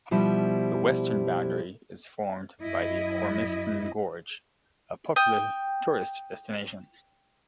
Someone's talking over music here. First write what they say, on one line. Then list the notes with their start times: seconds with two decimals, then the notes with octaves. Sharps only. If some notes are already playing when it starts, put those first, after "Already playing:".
The western boundary is formed by the Ormiston Gorge, a popular tourist destination.
0.11 B2 F3 G3 E4
2.63 F#2 E4 D#5
5.16 G5 D#6